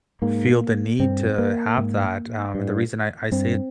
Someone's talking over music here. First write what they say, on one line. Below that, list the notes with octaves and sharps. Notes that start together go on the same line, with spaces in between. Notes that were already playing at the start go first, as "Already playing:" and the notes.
feel the need to have that, um, and the reason I I say uh, eh,
G#2 A#3
G2 C4
A#3
G#2
G2
G2 C4